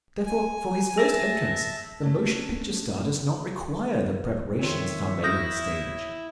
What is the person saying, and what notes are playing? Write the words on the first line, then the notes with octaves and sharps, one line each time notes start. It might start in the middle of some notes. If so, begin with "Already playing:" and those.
Therefore, for his first entrance the motion picture star does not require the preparations that are made on the stage.
G#5
G#4 E5 A5 A#6
A3 C#4 D4
F2 D#3 C#5 E5 C6
E4 D#6 F6 G6 A#6